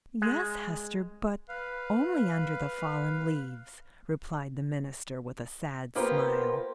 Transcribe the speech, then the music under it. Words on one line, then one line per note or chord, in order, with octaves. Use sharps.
"Yes, Hester; but only under the fallen leaves!" replied the minister, with a sad smile.
G#3
B4 F5
A#3 B3 F4 G4 A#4 C5